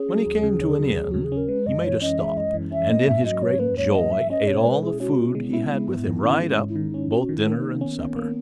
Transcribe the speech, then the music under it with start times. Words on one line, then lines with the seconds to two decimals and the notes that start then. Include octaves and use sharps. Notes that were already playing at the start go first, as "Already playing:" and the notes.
When he came to an inn, he made a stop, and in his great joy ate all the food he had with him right up, both dinner and supper.
Already playing: C#4 G#4
0.09 F#3
0.26 D#2
0.43 C#3
0.61 C#4
0.79 F#3
0.96 D#2
1.11 C#3 F#4
1.24 G#4
1.32 C#4
1.37 A#4
1.48 G#3 B4
1.66 F#2 D#5
1.84 E3 C#5
2.01 C#4 D#5
2.19 G#3 E5
2.36 F#2 D#5
2.54 E3
2.72 C#4 E5
2.89 A#3 D#5
3.07 G#2 E5
3.25 F#3 D#5
3.42 G#2 C#5
3.59 A#3 B4
3.77 G#2 C#5
3.95 F#3 D#5
4.12 G#2 E5
4.30 C#4 D#5
4.47 B2 C#5
4.65 G#3 B4
4.82 E4 G#4
5.00 C#4 F#4
5.18 B2
5.35 G#3 B3
5.53 E4
5.71 G#3
5.88 G#2
6.06 D#3
6.23 C#4
6.40 G#3
6.58 G#2
6.69 E4
6.76 D#3 D#4
6.94 C#4
7.11 C#4 F#4
7.29 D#3
7.34 E4
7.46 A#3
7.52 C#4
7.58 D#4
7.64 D#3
7.81 B3 C#4
7.99 D#3
8.16 A#3